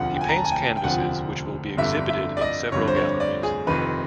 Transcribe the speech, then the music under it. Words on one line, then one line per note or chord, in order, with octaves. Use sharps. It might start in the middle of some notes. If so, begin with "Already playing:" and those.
He paints canvases which will be exhibited in several galleries.
Already playing: E1 D2 C3 F3 F#5
G5
G#5
A#5
A5
G#5
G5
G5
E1 D2 C3 F3 F#5
G1 F2 D3 G3 E5
E5
D5
D#5
G1 F2 D3 G3 C#5
C5
C#5
D5
G#4
F1 F2 C3 D#3 B4